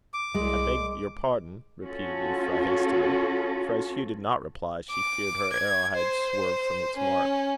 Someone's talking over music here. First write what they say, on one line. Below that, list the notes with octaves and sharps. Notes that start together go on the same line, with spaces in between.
"I beg your pardon," repeated Euphra, hastily; for, as Hugh did not reply, she feared her arrow had swerved from its mark.
D6
C2 G#3
C#4 F4 F#4 A4
D6
G#6
C5
C#4